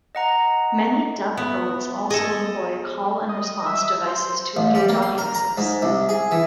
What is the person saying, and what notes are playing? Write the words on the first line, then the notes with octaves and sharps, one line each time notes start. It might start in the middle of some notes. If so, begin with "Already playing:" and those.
Many dub poets also employ call-and-response devices to engage audiences.
D#5 F#5 A#5
B3 E5
G#4 A4 D#5
D#5
E5
C5
A1
G3
A#3
C6
A#4
A#5
G#2
C2
G#4
E3